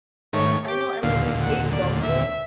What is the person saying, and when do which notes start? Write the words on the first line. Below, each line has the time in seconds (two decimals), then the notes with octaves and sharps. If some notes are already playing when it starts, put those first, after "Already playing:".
I know, and, like, I hate Bumble.
0.33 G#2 D#3 A3 C#5
0.68 G4 D6
1.03 D#2 A#2 D3 F5
1.42 F#5
1.72 D5
2.02 E5